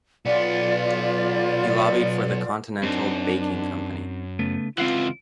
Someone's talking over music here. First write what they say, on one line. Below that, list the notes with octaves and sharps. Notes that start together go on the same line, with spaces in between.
He lobbied for the Continental Baking Company.
B1 B3 F4 D5
F#2 C4 D4 D#4
C#3 A3 B3
C#2 E3 C4 F4 F5 F#5